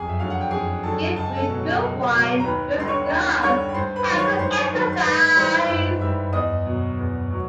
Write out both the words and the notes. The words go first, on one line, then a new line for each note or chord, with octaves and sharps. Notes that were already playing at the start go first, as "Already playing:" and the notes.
Good food, good wine, good cigars and some exercise!
Already playing: F2 G#4 G#5
E5
D3 F#3 F5
F#5
G5
F2 G#4 G#5
D3 F#3 A4 A5
C#2 A5
G#5
A4 A5
B2 F#3
C#2
B2 F#3
A#5
D#2 B4 B5
D3 G3 C6
C#5 C#6
D#2
D3 G3 C#5 C#6
B5
G2 C5 C6
B4 B5
D#3 F#3
C#5 C#6
G2 C5 C6
D#3 F#3
C6
G#2 B4 B5
B5
E3 G3 C5 C6
G#2 E5 E6
E3 G3 E5 E6
E2 D#5 D#6
B2 F#3
E2
B2 F#3